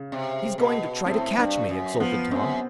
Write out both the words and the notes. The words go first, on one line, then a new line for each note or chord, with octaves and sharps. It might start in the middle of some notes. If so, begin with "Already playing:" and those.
"He's going to try to catch me!" exulted Tom.
Already playing: C#3
C3
B2
A2 C4
G2
F#2
F3 B3
F#2 C4